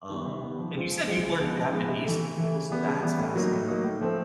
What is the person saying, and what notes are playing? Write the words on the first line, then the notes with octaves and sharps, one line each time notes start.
Um, and you said you learned Japanese through this, that's fascinating,
D#3 G3 B3
C3
D#3 G3 B3
F3
G#3 C4 F4
F3
G#3 C4 F4
C#3
F3 G#3 B3 D#4
C#3
F3 G#3 B3 D#4
C3
E3 A3
C3
E3 A3
C#3
E3 G3 B3
C#3
E3 G3 B3
A2
F#3 A#3 D#4
A2
F#3 A#3 D#4
A2
F3 A3 C4